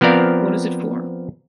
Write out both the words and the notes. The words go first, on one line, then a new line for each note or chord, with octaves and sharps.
What is it for?
F3 B3 C4 A#4 D5 F5